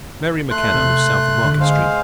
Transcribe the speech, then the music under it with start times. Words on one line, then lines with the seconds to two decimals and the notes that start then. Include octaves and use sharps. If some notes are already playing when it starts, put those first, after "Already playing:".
Mary McKenna lives south of Market Street.
0.51 A3 C6 F#6
0.74 C3
1.44 D3
1.60 G#3 C5 F5